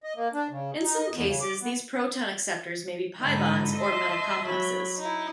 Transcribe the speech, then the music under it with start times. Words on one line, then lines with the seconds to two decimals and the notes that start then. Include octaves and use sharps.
In some cases, these proton acceptors may be pi-bonds or metal complexes.
0.03 D#5
0.16 A#3
0.33 D4
0.50 C#3
0.83 D#4
0.97 D#5
1.12 E2
1.26 C#3
1.41 D6
1.61 B3
3.21 G#2 D3 D#4 B5
3.75 D#5 E5 A5 C6
4.45 F#3 B5
4.98 D#4 E4